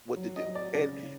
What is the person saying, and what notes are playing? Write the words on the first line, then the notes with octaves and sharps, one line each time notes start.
what to do, and, b
F#3
D#5
F#3
D5
C#3 D5
C#3